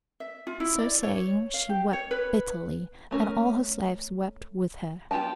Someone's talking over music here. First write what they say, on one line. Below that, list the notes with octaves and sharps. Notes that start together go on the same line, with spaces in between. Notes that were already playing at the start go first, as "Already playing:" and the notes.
So saying, she wept bitterly, and all her slaves wept with her.
E5
F4
E4
D5
C#5
F5
G4
C#5
B4
A3 C#4 A#4
B3 F4 G4 G5 A5